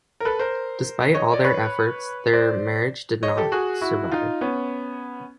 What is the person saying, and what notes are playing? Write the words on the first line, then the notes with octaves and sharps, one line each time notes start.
Despite all their efforts, their marriage did not survive.
A#4
A4 B4
A#4 C5
C#5 D#5
D5
B4 C#5
C5 D5
C#5 D#5
G4 A4
F#4 G#4
E4 F#4
D#4 F4
B3 C#4